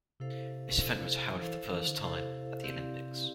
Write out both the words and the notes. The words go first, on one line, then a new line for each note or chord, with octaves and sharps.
This event was held for the first time at the Olympics.
C3 E4 A4 C5 F5
E4 A4 C5 F5
F3
E3 E4 A4 C5 F5
E3
D3
C3 E4 A4 C5 F5
C4 E4 G4 D5 F5